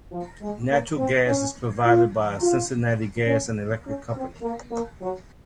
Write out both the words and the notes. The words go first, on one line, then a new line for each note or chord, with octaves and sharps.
Natural gas is provided by the Cincinnati Gas and Electric Company.
F3
G#3
A#3
C4
C#4
F4
F4
C#4
C#4
C4
A#3
A#3
F#3